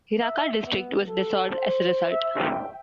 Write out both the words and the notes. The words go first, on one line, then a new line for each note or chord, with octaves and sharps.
Hiraka District was dissolved as a result.
E5
B3
A4
C5
E5
G5